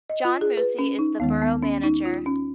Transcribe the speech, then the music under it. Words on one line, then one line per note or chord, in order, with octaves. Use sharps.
John Moosey is the borough manager.
D#5
F4
G#4
B4
C#4
D#4
D#2 D#3 G#3 B3
B3
C#4
D#4
F4
C#4